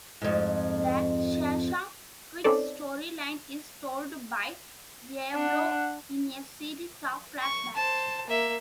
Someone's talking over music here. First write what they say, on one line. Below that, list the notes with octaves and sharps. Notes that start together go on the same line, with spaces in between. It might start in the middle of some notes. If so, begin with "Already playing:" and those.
The Shazam Twix storyline is told by Diablo in a series of flashbacks.
F2 G#2
C4 C#4 D#4 A4 D5
D4 F#5
C#6
C5 A5
A#3 E5